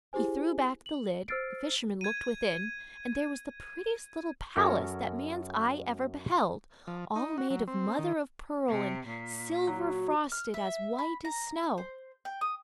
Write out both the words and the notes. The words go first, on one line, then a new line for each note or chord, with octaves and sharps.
He threw back the lid; the fisherman looked within, and there was the prettiest little palace that man's eye ever beheld, all made of mother-of-pearl and silver-frosted as white as snow.
E4 G4 G#4 C5 G#5
F#7
C5 E6 F6 A6 C7 D7
G#6 D#7
F#2 C#4 A4 A#4 C#5
F3
D#4
F#4
F#3
C4
D#3
C3
A#2
F#3
F6
E5
B5
A#5
C5
G5
D#6